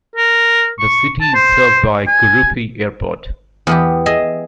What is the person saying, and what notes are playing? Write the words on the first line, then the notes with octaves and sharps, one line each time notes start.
The city is served by Gurupi Airport.
A#4
C#6
A5
C5
G#5
E2 B3 G4
G#4 D#5 E5